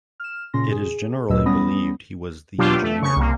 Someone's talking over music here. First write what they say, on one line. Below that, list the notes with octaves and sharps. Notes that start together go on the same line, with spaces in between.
It is generally believed he was the engineer.
F6 E7
A#2 C#3 C#4 C6 A#6
G#4
D2 A#2 F#3 B4 D#5 E6
G3 B3 C#4 B5 D#6 A#6
B2 F#3 D4 F4 G4
A3
C#3 C#6
C2 A#3